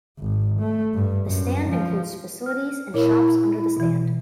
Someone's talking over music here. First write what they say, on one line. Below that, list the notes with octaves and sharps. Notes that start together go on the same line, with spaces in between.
The stand includes facilities and shops under the stand.
G#1
A3
G2
F#2
F3
F6
A#2 E4 A#4 C#5
B2 E3